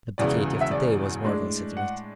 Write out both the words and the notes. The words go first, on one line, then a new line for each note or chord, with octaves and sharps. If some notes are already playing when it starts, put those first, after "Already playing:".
But the Katy of to-day was more considerate.
E1 E2 C#3 E3 D5
E5
D5
A2 G#3 D4
F#5